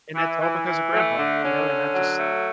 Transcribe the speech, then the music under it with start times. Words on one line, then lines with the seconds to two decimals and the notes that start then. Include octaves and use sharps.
And that's all because of grandpa, you know, and I just
0.16 E3
0.42 E3
0.67 E3
0.93 A3
1.18 D3
1.43 C#4
1.68 D3
1.95 F#3
2.19 A3